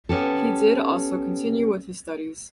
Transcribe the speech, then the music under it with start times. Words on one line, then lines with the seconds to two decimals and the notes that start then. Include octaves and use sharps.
He did also continue with his studies.
0.09 B3 C#4 G4 A4